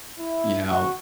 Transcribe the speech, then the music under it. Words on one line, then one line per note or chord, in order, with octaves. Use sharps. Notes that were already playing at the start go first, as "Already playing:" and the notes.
you know,
E4
F#4